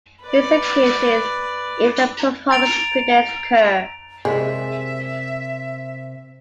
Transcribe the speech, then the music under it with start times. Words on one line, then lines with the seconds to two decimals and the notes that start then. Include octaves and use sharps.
In some cases, even the "performance" predates Kerr.
0.24 B4 D5
2.50 A#5 A6 D7 F7
4.25 C3 G#3 A#4 D5 E5